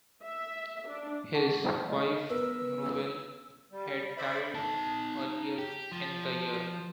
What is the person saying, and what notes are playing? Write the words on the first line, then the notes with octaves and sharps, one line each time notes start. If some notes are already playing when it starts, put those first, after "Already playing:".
His wife, Muriel, had died earlier in the year.
E5
D4
G#4 F#5 A5 C#6
D#5
B3 A#4 B4 E6
G3
C5 D5 E5 B5
D#4 A5
G4
F3